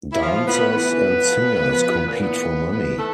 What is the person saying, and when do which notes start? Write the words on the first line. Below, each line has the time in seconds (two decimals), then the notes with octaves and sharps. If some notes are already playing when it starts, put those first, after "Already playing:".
Dancers and singers compete for money.
0.12 E4
0.21 E3 F3 F4
0.39 A2
0.46 B3 B4
0.55 A2
0.72 E3 B3 B4
0.88 E3
1.05 A2
1.22 F3
1.39 A#2
1.56 A#2
1.73 F3
1.89 F3
2.06 A#2
2.22 E3 B3 B4
2.39 G#2
2.56 G#2
2.73 E3 B3 B4
2.89 E3
2.98 A3 A4